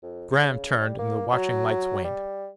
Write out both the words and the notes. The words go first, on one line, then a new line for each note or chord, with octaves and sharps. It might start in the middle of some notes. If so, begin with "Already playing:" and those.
Graham turned, and the watching lights waned.
F2
C#3
G3
A#3
F#3
G3